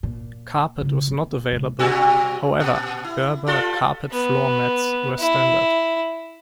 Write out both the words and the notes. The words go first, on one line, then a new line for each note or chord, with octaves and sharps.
Carpet was not available, however berber carpet floor mats were standard.
A#2
C#3 E4
F#1 B3
C#3 G#3
B2 G3 F#4
A#2
E4
G3 F4 A4
B3
E4